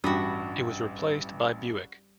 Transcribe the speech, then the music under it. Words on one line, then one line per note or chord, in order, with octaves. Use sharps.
It was replaced by Buick.
A1 G2 G3 D4 F#4 B5 D#6